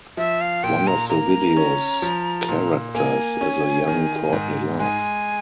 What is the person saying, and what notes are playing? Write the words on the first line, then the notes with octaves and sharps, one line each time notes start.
One of the video's characters is a young Courtney Love.
F3 E5
F5
A#2 G5
A#5
A#3 A#5
C#4
F3
A#2
A#3 G#5
C#4
D#3
G#2
G#3 G#5